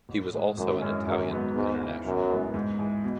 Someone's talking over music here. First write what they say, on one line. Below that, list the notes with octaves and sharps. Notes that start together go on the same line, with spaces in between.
He was also an Italian international.
A1
A2 G#3
G#1 F#2
F#2 E3 G#3 C#4
G#1 F#2
G#2 F#3 B3
E2 G#2
C#3 E3
B1 F#2
A2 E3 G#3 B3
G#2
E3 G#3
B2